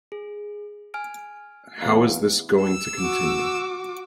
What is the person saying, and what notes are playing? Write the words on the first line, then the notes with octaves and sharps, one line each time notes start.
How is This Going to Continue?
G#4
G#5 F6 D7
E2 F5
E6
F#4 D6